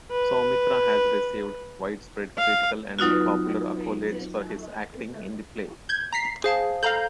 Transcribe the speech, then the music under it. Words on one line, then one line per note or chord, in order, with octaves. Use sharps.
Soumitra has received widespread critical and popular accolades for his acting in the play.
B4
F5
F#3 D#4 F4 F#4
G6 G#6
A#5 B6 C7
G#4 C5 F5 A5
A4 F5 A#5 G6